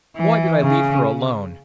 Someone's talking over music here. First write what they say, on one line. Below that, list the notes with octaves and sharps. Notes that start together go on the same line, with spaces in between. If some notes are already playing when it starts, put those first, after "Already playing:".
Why did I leave her alone?
E3
C#3